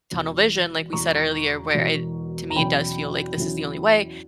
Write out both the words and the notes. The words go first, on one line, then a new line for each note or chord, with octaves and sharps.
tunnel vision, like we said earlier, where it to me it does feel like this is the only way,
E1 E2 B2
E1 E2 B2 A#5 C#6
E1 E2 B2
A#5
E2 B2 F#3 C#4 E4 G5 B5
E2 B2 F#3 C#4 E4